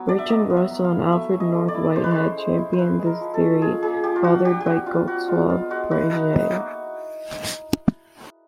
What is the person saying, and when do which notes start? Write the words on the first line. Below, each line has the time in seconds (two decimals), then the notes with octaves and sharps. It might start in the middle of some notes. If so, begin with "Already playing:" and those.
Bertrand Russell and Alfred North Whitehead championed this theory fathered by Gottlob Frege.
Already playing: F#3 B3
0.08 D4 D5
0.19 E5
0.29 F#3 D#5
0.50 B3
0.57 E5
0.71 F#3
0.84 F5
0.92 E4
1.12 A3 E5
1.34 C#4
1.40 D#5
1.54 A3
1.68 D5
1.74 E4
1.96 G#3 C5
2.04 B4
2.11 C5
2.16 C#4
2.37 G#3
2.58 E4
2.73 C5
2.78 E4 B4
2.99 G#3
3.06 A#4
3.21 F3
3.34 A4
3.41 C#4
3.61 F4 G#4
3.83 A#3 G#4
4.04 F3 G4
4.16 F4
4.24 D4 F#4
4.45 G3 G4
4.60 G4
4.66 C4 F#4
4.86 G3 F4
5.08 F4 F#4
5.28 G#3 F4
5.49 B3 F4
5.70 G#3 F#4
5.91 E4 F#4
6.12 D#4
6.33 D#4
6.53 A#3